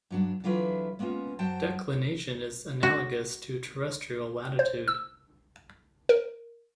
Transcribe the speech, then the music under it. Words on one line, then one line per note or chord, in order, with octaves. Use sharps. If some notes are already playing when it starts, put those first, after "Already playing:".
Declination is analogous to terrestrial latitude.
G2 F#3 D4
D3 E3 F#3 E4 F4 B4
G#3 A#3 B3 C#4 F4
F#2 F#3 C5 G5 A5
F#4
C5
E6
A#4